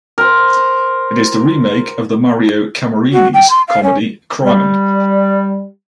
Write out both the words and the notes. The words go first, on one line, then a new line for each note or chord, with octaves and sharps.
It is the remake of the Mario Camerini's comedy "Crimen".
A#4 C5
F#4
G5
C6
F5
C#4
G3